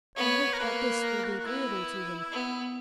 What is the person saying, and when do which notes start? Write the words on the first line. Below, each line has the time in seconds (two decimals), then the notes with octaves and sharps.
I hope that this will be agreeable to him.
0.17 B3 C#5
0.53 A#4
0.59 A#3 B4
1.02 A#4
1.24 F#4
1.39 F#4
1.45 B3 E4
2.32 B3